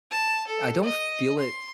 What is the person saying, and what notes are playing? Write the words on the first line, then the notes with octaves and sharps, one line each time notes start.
I don't feel it
A5
A4
D#5
C6